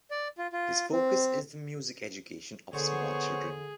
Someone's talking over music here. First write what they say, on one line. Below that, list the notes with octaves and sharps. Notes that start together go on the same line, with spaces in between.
His focus is the music education of small children.
D5
F4
F4
C4
D3 B3 G#4 C5 C#5 C#6